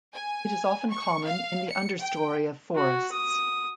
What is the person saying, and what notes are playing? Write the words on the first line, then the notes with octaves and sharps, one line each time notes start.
It is often common in the understorey of forests.
G#5
C#6
F5
C#7
G5
F#4
D#6